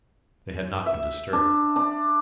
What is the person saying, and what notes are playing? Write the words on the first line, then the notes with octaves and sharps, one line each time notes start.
They had not been disturbed.
E5
D4
D4